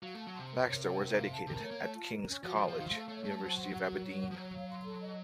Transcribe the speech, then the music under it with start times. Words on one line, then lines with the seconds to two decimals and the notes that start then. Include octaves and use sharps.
Baxter was educated at King's College, University of Aberdeen.
0.03 F#3 F5
0.14 A3 A5
0.27 F#3
0.35 C3 C6
0.51 A#4
0.66 C#5
0.84 F#5
0.98 A#4
1.15 F5
1.32 A5
1.47 C3 A#4
1.60 A3 C#5
1.71 A#3
1.79 A3 A5
1.95 F4
2.12 A#4
2.28 C#4
2.44 F3 F#4
2.56 F3
2.60 C5
2.68 F3
2.76 D#3 F5
2.92 A3 A4
3.08 A3 C#5
3.24 A3 A5
3.40 F#3 C5
3.57 F#5
3.72 F#4
3.89 A#4
4.05 C#5
4.21 F#5
4.31 F3
4.36 F#3 C#5
4.53 F5
4.69 C6
4.85 A4
5.01 D#5